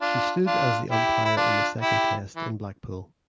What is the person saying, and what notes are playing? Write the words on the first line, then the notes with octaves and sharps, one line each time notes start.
She stood as the umpire in the Second Test in Blackpool.
D4 F4
D4 F4
E4 G4
E4
D4 F4
E4 G4
E3